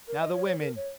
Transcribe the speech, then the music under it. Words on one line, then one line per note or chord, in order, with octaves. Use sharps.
"Now the women."
A#4
D#5
C#5
C#5
A#4
C#5